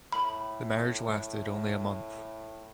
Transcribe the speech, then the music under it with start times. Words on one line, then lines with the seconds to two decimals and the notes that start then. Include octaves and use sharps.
The marriage lasted only a month.
0.12 A2 B5